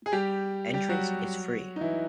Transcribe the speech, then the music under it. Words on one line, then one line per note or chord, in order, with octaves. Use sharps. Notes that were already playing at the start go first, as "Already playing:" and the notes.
Entrance is free.
G#4
G3 G4
G3 G4
F#3 F#4
D#4
E3 E4